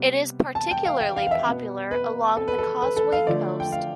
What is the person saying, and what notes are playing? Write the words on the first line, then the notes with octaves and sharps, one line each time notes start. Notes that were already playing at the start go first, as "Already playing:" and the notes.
It is particularly popular along the Causeway Coast.
Already playing: C3 G3 B3
A5
G5
F5
G5
F5
F5
E5
B2 B3
B4
A4
B4
A4
B4
A4
F5
D3 F3 A3 D5
G5
F5